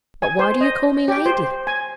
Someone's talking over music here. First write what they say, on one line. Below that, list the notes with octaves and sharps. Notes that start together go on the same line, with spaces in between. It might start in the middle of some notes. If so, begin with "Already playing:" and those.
But why do you call me 'Lady'?
G#5
C5
D#5
G4
C5
G#5